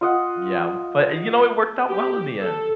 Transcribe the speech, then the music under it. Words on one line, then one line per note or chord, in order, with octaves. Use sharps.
Yeah, but you know, it worked out well in the end.
F4 D#5 F#5
G4
A4